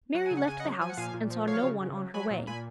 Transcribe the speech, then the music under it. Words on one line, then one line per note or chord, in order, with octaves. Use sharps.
Mary left the house, and saw no one on her way.
F#3 F#5
G#5
C#3
F#5
C#3 G#5
D#5 F#5
F#3
F3 G#5
F#5
A#2 F5 G#5
A#2
F3
F#3 C#5 F5
C#3
C#3
F#3
F#3 G#5 B5
A#2
A#2 G#5 B5